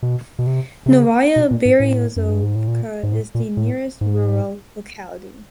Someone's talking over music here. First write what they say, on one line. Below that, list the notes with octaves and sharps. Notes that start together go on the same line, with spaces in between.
Novaya Beryozovka is the nearest rural locality.
B2
B2
C3
C3
C#3
B2
A#2
G#2
A2
F#2
G2
G#2
A2
A#2
G#2
A2
A#2
A2
G#2